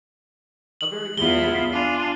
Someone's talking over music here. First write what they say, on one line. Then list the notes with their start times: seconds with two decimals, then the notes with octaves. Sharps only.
A very good name!
0.81 F#7
1.17 E2 B3 E4 F4 D#6 G7
1.72 D4 F4 G#5